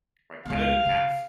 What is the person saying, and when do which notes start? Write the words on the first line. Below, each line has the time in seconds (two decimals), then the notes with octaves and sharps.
right? Cut it in half.
0.45 C#2 B3 F5
0.85 C#3